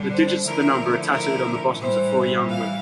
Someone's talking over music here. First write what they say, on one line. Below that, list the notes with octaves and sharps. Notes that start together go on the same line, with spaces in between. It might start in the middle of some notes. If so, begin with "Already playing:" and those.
The digits of the number are tattooed on the bottoms of four young women.
Already playing: G2 D3 G3 D4
C5
D3 F3 A3 E4 A#4
A#4
A2 E3 G3 C5
F5